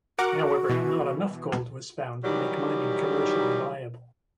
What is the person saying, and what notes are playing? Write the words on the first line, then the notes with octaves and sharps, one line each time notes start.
However, not enough gold was found to make mining commercially viable.
F#4 A#4 F#5 D6
B2 E3
D#3 E3 F#3 G3 D#4 G4